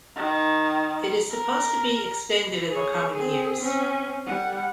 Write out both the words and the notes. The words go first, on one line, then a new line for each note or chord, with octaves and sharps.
It is supposed to be extended in the coming years.
D#3
A#4
G#4 C#5
C4 G#4
C4 C#4
G3 F#5